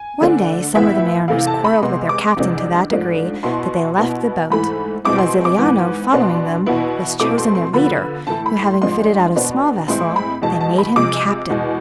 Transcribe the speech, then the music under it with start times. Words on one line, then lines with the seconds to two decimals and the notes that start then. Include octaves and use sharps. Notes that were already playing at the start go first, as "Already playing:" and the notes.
One day some of the mariners quarrelled with their captain to that degree, that they left the boat. Brasiliano following them, was chosen their leader, who having fitted out a small vessel, they made him captain.
Already playing: G#5
0.21 D3 A3 D4
0.75 A2 E3 B3 E4 E5
1.28 C3 E3 A3 E4 F5
1.47 A5
1.64 B5
1.82 C3 G#3 B3 C6
2.09 D6
2.36 E2 C3 G#3 D4
2.90 G#2 F3 A3 D4
3.43 B2 B3 E4 C6
3.98 B2 B3 E4
4.50 G#2 E3 A3 B5
5.05 B2 G#3 C4 E4 D6
5.18 C6
5.45 D6
5.58 G#2 E3 B3
6.12 B2 B3 D4 C6
6.66 E2 B2 B3 E4
7.20 B2 A3 C4 E4 D6
7.38 C6
7.55 C6
7.73 D3 F3 B3 B5
8.27 A2 E3 A3 E4 A5
8.46 B5
8.63 C6
8.82 G#2 F3 G#3 D4 C6
9.35 B2 B3 D4
9.88 A2 E3 G#3 C4 E4 C6
10.16 B5
10.42 E2 B2 G#3 A5
10.61 A5
10.78 B5
10.96 C3 F3 G#3 D6
11.50 E2 B2 G#3